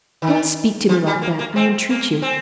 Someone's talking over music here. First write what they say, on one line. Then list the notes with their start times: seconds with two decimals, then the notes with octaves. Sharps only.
"Don't speak to me like that, I entreat you."
0.22 D#3
0.89 F3
1.07 G3
1.22 A#3
1.39 A#3
1.56 C4
1.90 A#3
2.22 C4